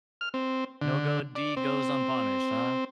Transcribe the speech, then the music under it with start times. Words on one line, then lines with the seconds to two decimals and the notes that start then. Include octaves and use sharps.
No go deed goes unpunished, huh?
0.21 F6
0.34 C4
0.82 D3
1.35 D5
1.57 C4